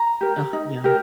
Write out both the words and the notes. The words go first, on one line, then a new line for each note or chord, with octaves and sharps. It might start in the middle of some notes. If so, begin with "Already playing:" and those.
Ah, yum.
Already playing: A#5
G4 A#4
D#4
G4 A#4